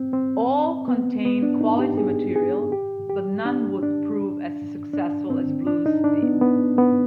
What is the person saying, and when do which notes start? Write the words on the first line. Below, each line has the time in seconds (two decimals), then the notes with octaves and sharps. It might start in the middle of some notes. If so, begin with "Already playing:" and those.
All contained quality material, but none would prove as successful as "Blues' Theme".
Already playing: C4
0.13 C4
0.88 B3
1.25 B3
1.43 D4
1.61 D#4
1.79 G4
1.98 G#4
2.36 G#4
2.72 G4
3.10 G4
3.46 D4
3.83 D4
4.93 D4
5.30 C4
5.67 D4
5.86 D#4
6.04 D4
6.23 B3
6.41 B3
6.78 B3